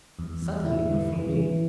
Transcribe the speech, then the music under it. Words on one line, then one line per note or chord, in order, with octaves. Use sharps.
Certainly not from me.
E2
E2
E4
D3
E3
E3